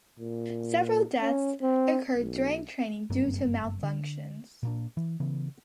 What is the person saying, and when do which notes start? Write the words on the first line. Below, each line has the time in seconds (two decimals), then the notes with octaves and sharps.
Several deaths occurred during training due to malfunctions.
0.19 A#2
1.21 C#4
1.61 C4
2.17 B1
3.10 F#1 G2 A#3 C4
3.83 D3
4.63 A#2 A#3 D4
4.97 E3
5.20 C#3 E3 B3